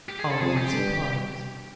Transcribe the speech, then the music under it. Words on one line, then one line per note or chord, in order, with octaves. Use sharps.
All at once he paused.
G4
G#4
A4
F2 G#4
G4
G2